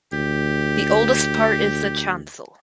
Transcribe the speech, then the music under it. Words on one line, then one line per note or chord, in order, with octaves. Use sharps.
The oldest part is the chancel.
D2 G4